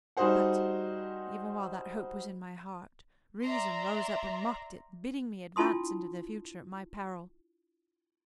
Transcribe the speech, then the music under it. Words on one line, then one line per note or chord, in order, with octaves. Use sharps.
But, even while that hope was in my heart, reason rose up and mocked it, bidding me advance into the Future at my peril.
G3 D#4 F#4 G#4 C5 F#5
D5 E5 A#5 C6
D4 E4 F4 A5 C6 D#6